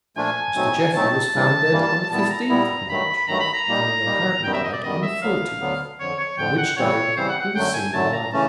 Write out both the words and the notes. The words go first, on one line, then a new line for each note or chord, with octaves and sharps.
Mr. Jeffrey was found dead on the fifteenth of March, having apparently died on the fourteenth, on which day he was seen alive.
A#2 F3 A3 D4 F4 G#5
B2 F#3 A3 C4 D#4
B2 F#3 A3 C4 D#4 A5
G2 E3 G3 A#3
G2 E3 G3 A#3
A#2 G3 B3 E4 A5
A#5
A#2 G3 B3 E4
G2 D#3 F#3 A3 B5
B5
G2 D#3 F#3 A3 A#5
B5
A#5
A#2 G3 A#3 D#4
A#2 G3 A#3 D#4
F#2 D#3 G3 B3 G5
E5
D#5
D5
F#2 D#3 G3 B3 D#5
E5
D2 D3 F#3 B3 F5
D2 D3 F#3 B3
F2 D3 F3 C#5
C#5
F2 D3 F3 G5
F#5
C#3 E3 G3 C4 C#5
C#3 E3 G3 C4 C5
F#5
F#5
F#2 D3 F#3 A3 G5
G#5
F#2 D3 F#3 A3 A5
A#5
C#3 E3 A3 C#4 A5